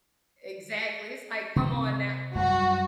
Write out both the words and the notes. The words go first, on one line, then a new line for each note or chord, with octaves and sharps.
Exactly, it's like, "Come on now"
C3 C4
F#2 G3 F#4